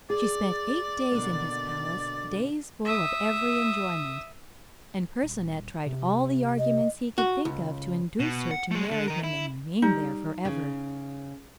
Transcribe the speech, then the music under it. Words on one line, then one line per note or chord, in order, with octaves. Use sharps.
She spent eight days in his palace--days full of every enjoyment; and Percinet tried all the arguments he could think of to induce her to marry him, and remain there for ever.
G#4 D5
B2 D3 A#3
E5 D#6
D#1
C3
D#5
F#4
C#2
B2
F#5
G#3 A3
D3
D#3 A#4
E4
G3 D#4
C#3